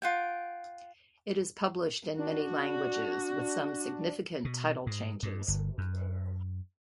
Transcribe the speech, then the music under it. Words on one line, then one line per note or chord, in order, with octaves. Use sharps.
It is published in many languages with some significant title changes.
F4 F#5 G5
D4 F#4
B2
G#2
G2
G1
F#2